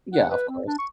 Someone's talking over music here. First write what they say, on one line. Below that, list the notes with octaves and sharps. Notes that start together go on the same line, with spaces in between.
Yeah, of course.
F#5
B4
C4
D4
C#6